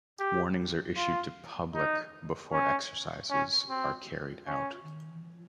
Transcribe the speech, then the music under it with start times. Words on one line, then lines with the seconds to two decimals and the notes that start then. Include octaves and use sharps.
Warnings are issued to public before exercises are carried out.
0.19 G4
0.97 F4
1.75 D#4
2.53 C#4
3.31 C#4
3.70 C4
4.47 C#4